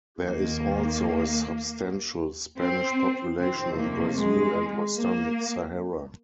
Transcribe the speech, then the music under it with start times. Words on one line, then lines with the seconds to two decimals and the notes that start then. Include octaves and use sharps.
There is also a substantial Spanish population in Brazil and Western Sahara.
0.21 D#2 D#3 A#3
2.58 C4
3.37 F2 C3 D#3 C4
3.76 A#3
4.16 G#3
4.95 A#3